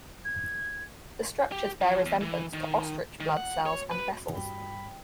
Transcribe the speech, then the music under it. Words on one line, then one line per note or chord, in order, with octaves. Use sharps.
The structures bear resemblance to ostrich blood cells and vessels.
G#6
G4
F3
E2
E3
D#3
D#3
F#5
C#5
B4
G2 G3 G5 B5